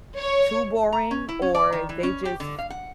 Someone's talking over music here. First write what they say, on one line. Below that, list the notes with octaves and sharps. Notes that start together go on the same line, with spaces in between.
too boring, or they just
C#5
A#5
C#4
E4
C#4
D5
D#3
E3
C#4
G4
D3
F5
F#5